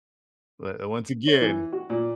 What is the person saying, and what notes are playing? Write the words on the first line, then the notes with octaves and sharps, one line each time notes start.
But a once again
C#5
E3
F#4
A#2